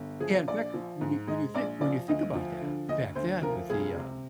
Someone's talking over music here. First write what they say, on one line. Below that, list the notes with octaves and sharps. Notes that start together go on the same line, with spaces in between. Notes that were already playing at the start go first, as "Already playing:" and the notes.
Yeah, in fact, w when you when you think when you think about that back then with the, um,
Already playing: G1
F3 G#4
A#1 D5
F3
G#2
G#3 D#5
A#1 D5
F3 D5
D2 D#5
F3
D3
D2 D#5
D2 C5
F3 A#4
F1 G#4
C3